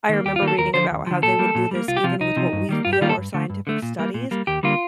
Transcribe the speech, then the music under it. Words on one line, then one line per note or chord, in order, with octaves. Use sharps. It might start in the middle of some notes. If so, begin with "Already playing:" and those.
I remember reading about how they would do this even with what we feel are scientific studies
D#3 A#3
D#2 G4
F4
D#3 A#3
A4
D#2 A#4
D3 F3 C5
D#2
D3 F3
A#2 A4
G3 A#3
A#2
G3 A#3
C2 F4
G4
C3 F3 F4
C2 D#4
C3 F3
G2
D#3 G3 A#3
G2 F4
G4
D#3 G3 A#3 F4
A4
G2
D3 A3
G2
D3 A3
A#2
G3 A#3
A#2
G3 A#3
D#2 G4
D3 G3 A#3 F4